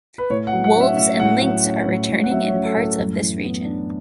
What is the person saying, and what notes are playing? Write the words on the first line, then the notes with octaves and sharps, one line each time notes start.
Wolves and lynx are returning in parts of this region.
B4
A2 C#5
F#5
F#3
F#5
C#4
E5
A2 E5
A2 F#5
F#3 F#5
C#4
A2
A2
F#5
F#3 E5
C#5
C#4
A4
A2
F#2
E3
B3
D4